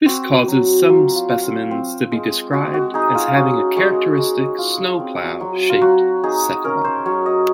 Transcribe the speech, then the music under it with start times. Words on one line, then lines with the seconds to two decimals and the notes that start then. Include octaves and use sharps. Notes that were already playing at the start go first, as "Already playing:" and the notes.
This causes some specimens to be described as having a characteristic "snowplow" shaped cephalon.
0.06 C4 F#4
0.48 F#3
0.89 F#3 F4
1.16 F4
1.30 F4
1.71 C4
2.12 G#3
2.53 G#3 F#4
2.74 F#4
2.94 D#4 G#4
3.15 F4
3.28 F4
3.36 C#4 F#4
3.77 G#3 F#4
4.18 G#3
4.58 F4
5.00 C4
5.41 F#3
5.70 F4
5.81 F#3 F#4
6.24 D#4 G#4
6.64 C#4 A#4
6.84 C5
7.06 F#3 C#5
7.26 D#5